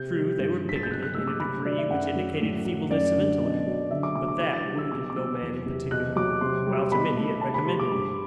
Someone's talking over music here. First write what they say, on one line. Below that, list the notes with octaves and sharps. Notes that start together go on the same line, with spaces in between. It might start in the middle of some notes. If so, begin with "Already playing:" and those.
True, they were bigoted in a degree which indicated feebleness of intellect; but THAT wounded no man in particular, while to many it recommended them.
Already playing: C3 G6
G3
G2
F#3 B6
A6
G6
B2 F#6
F#6
A3 E6
D6
C3 B5
F#3 D5
E5
F#2 F#5
F#3
A2
F#3
F#2 D5
D3
B2
F#3
D3 E5
D6
F#3 D6
D6
E3 D6
A6
G3
E6
B2 D6
D6
F#3 E6
E2
C3
B2 F#6
F#3 D6
C3 C6
G3
B2 B5
A3
C3 A5
B5
G3 C6
D6
G2 B5